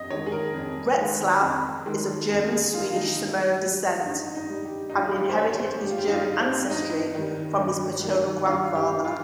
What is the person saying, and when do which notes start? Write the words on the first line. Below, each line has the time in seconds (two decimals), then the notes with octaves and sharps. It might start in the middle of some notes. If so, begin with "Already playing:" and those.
Retzlaff is of German-Swedish-Samoan descent, having inherited his German ancestry from his paternal grandfather.
Already playing: F2 D#5
0.10 D#3 G#3 C#5
0.26 G#4
0.32 A#4
0.54 F2
0.97 D#3 G#3
1.42 F2
1.86 D#3 G#3
2.29 F2 G#4
2.51 G#4
2.73 D#3 G#3 F4
2.89 F4
2.96 D#4
3.18 G2
3.62 G3
4.05 G2 D#4
4.35 D#4
4.50 G3
4.65 G4
4.89 D#4
4.94 G2 F4
5.07 G#4
5.16 G4
5.29 C5
5.38 G3 C#5
5.52 C#5
5.59 C5
5.81 G2 G4
5.90 F4
5.98 G4
6.07 D#4
6.12 F4
6.26 G3
6.41 C4
6.70 G2 D#4
7.14 D#3 G3
7.58 G2
8.02 D#3 G3
8.45 G2 F4
8.75 G4
8.90 D#3 G3
9.05 F4